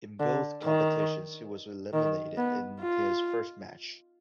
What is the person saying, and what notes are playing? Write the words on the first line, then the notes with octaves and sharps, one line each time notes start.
In both competitions he was eliminated in his first match.
D3
D#3
D#3
B3
F4